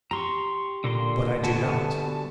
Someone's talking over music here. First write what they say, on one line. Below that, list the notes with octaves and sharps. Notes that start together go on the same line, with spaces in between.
"But I do not."
G4 A#5 C6 C#6
A#2 D3 A#3 C6
D3 G3 B3 F#4 G#5 A5